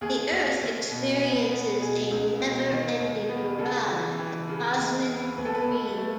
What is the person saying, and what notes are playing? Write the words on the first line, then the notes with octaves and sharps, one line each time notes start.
The Earth experiences a never ending barrage of cosmic debris.
D#2 G#4
D#2
D#2
B2
B3
B3
B2 G#4
C#2
B2
D#3
D#2
B3
C#3 A4
E3
E3
C#3
D#2
B3
D#2 B4
A4
B4
D#2
A3